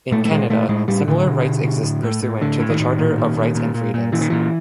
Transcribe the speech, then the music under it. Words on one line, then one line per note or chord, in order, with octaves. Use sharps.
In Canada, similar rights exist pursuant to the "Charter of Rights and Freedoms".
A#2 A3
A3
A#2 G#3
A#2 A3
A2 G#3
A2 G3
A2 D3
B2
B2
B2
A2
A2
A2
A2 D3
A2
D#3
A2
A#2
A#2
A#2
A#2
A#2
A#2
A#2 E3
D#3
A#2 E3